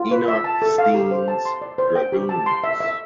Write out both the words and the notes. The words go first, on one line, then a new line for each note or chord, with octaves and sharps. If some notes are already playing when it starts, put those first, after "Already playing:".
Enoch Steen's dragoons.
Already playing: F4
B4
E5
A5
A4
F5
G4
C5
A5
C6
D5
C5
G5
G4
A5
C6
E5
E5